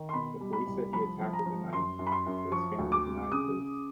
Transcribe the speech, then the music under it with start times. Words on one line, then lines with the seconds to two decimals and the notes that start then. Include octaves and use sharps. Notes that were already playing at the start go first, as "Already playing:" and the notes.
The police said he attacked with a knife, but his family denied this.
Already playing: D#3
0.09 C6
0.13 B2 B5
0.40 G3
0.53 B5
0.67 C2
0.93 F3 B5
1.20 F3
1.33 A#5
1.46 F3
1.73 F#2 C6
1.99 F#2
2.07 B5
2.12 C6
2.26 F#2
2.52 F3 C#6
2.78 D2
2.92 D6
3.05 C3
3.32 C#3 D#6
3.59 C#3